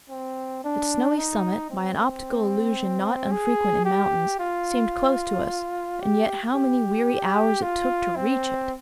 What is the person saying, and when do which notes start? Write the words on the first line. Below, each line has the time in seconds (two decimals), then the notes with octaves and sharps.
Its snowy summit, by an optical illusion not unfrequent in mountains, seemed close to us, and yet how many weary hours it took to reach it!
0.10 C4
0.64 D4
1.18 D#4
1.71 C4
3.32 G#4
3.85 G4
4.40 F4
6.02 G4
6.55 G4
7.62 F4
8.16 C4